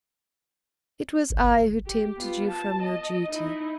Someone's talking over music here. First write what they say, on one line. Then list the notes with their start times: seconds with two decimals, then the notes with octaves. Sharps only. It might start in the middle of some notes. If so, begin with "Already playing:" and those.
It was I who tempted you from your duty.
1.30 G1
1.86 G4
2.17 B3 F4
2.48 A5
2.82 D#5
3.27 D#4 E4